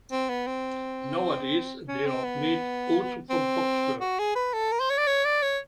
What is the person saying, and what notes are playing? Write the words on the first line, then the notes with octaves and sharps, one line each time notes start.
Nowadays they are made also from fox fur.
C4
B3
C4
C#4
C4
B3
C4
F#4
G#4
B4
A4
A#4
C5
C#5
D5
C#5
D5
C#5